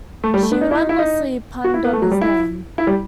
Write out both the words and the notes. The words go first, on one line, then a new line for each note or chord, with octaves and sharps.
She relentlessly punned on his name.
A3
G3
A3
B3
D#4
E4
D#4
E4
D#4
F#4
E4
B3
A3
F#3
G3
E4
E4
G3